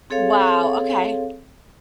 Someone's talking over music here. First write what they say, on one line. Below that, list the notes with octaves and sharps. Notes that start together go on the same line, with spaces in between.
Wow, okay.
C4 G#4 A4 C#5 F5